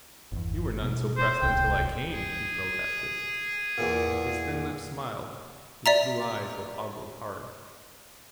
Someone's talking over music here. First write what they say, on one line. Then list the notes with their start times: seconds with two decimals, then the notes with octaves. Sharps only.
"You were none so pressed until I came," he protested, and if his thin lips smiled, his blue eyes were oddly hard.
0.32 G1 E2
0.82 B2
1.17 C5
1.42 D1 C2 G5
2.12 G#4
3.78 E2 A#2
5.86 D5 E5 A#5